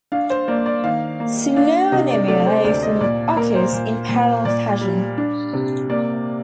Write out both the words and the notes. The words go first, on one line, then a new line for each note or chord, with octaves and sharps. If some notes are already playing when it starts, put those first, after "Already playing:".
Synonymia often occurs in parallel fashion.
D4 F5
C5
A#3 D5
D5
D#3 F5
A#3
D4 F5
C3 D#5
D5
A3 D5
C5
D2 D5
D#5
A#2 D5
A#3 A#4
C5
A#2
A#2
A#2 D5
G3
D4
C3
A#3 D5